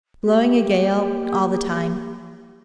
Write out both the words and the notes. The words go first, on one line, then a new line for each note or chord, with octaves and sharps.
Blowing a gale all the time.
A#3 G4